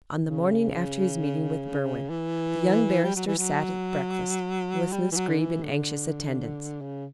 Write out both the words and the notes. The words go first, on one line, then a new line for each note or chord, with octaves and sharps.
On the morning after his meeting with Berwin, the young barrister sat at breakfast, with Miss Greeb in anxious attendance.
C#3
E3
G3
F#3
E3
F#3
G3
E3
F#3
D3
E3
D3
C#3